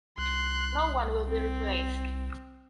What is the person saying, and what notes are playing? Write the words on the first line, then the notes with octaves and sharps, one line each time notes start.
No one will be replaced.
C2 C6 F#6
C4